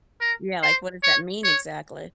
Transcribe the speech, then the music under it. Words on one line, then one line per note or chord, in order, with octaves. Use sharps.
Yeah, like what does that mean exactly?
A#4
C5
C#5
C#5